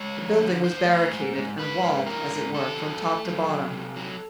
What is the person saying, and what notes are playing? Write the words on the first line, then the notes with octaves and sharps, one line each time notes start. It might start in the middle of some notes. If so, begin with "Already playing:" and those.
The building was barricaded, and walled, as it were, from top to bottom.
Already playing: G#3 C#5
F3
D3
E3 C5
A3
G#2
G#2
G#2 B4
G#2
E3 A#4
G#2
D#3 A4
F#3
A3
F#3
F#3
C3
F#3